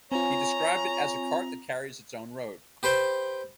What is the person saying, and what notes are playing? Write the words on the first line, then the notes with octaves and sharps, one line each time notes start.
He described it as a "cart that carries its own road".
C4 F4 C#5 G#5 A#5
G4 B4 C5 G5